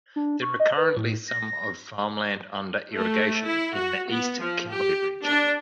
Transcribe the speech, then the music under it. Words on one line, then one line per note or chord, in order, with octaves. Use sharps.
There are currently some of farmland under irrigation in the East Kimberly region.
D4
C#6
D#5
B4
A2
A#6
A3
E4
F#4
B3
F3
G4
D4